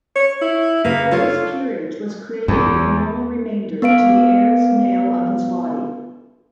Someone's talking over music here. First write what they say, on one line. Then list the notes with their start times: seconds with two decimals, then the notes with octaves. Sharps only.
This peerage was created with normal remainder to the heirs male of his body.
0.16 C#5
0.42 E4
0.85 C#3 A#3 B4
1.12 D4 F4 A4 C#5
2.48 E2
3.82 B3 B4 F5 D7